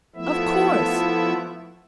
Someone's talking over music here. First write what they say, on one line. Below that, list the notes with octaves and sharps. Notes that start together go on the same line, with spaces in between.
'Of course.
F3 A3 B3 E4 E5